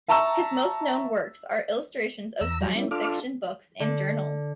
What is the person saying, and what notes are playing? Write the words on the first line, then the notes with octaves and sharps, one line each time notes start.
His most known works are illustrations of science fiction books and journals.
E5 A5 A#5 C#6 E6
E2 A#5 E6
F#3 G3
G3 A#3 C#4 E4
D4 F4 A4 D6 F6
D3